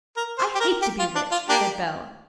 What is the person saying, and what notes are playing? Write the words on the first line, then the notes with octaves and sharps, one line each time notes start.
"I hate to be rich," said Bell.
A#4
C5
G4
A#4
G4
F4
D4
F4
A#3 D4 G4